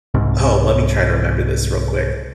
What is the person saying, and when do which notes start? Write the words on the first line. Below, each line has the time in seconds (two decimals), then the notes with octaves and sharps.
oh, let me try to remember this real quick.
0.14 C2 G#2 C3